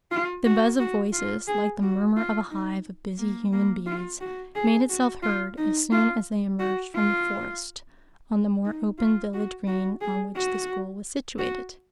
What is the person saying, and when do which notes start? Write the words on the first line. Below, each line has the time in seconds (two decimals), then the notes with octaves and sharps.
The buzz of voices, like the murmur of a hive of busy human bees, made itself heard as soon as they emerged from the forest on the more open village-green on which the school was situated.
0.12 F4
0.45 F#4
0.80 F#4
1.13 F4
1.48 G#4
1.83 F#4
2.17 F4
2.51 D#4
3.19 A#3
3.53 A#3
3.87 F4
4.21 F#4
4.56 G#4
4.89 F#4
5.23 F4
5.58 D#4
5.92 F4
6.60 F#4
6.95 F4
8.65 D#4
8.99 F4
9.34 F#4
9.67 F#4
10.02 G#4
10.36 F#4
11.39 F#4